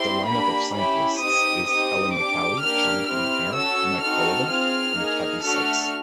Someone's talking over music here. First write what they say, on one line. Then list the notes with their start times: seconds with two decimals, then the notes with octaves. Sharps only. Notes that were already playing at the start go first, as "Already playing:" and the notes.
The line-up of scientists is Ellen McCallie, Jonathan Hare, Mike Bullivant, and Kathy Sykes.
Already playing: C4 E4 G4 C6
0.28 A#3 D4 G4 B5
0.74 C#4 E4 G4 B5
1.21 C4 D#4 G4 D#6
1.68 C4 D#4 G4 D#6
2.15 D4 G4 D6
2.61 A#3 D4 G4 F6
3.09 C4 E4 G4 F6
3.55 C#4 F#4 A4 E6
4.02 C4 D#4 F#4 A4 F6
4.48 C4 F4 G#4 F6
4.95 A#3 D#4 G#4
5.42 A3 D4 F#4 A4 F6